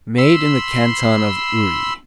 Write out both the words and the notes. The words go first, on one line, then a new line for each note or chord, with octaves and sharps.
Made in the Canton of Uri.
B5 C6 E6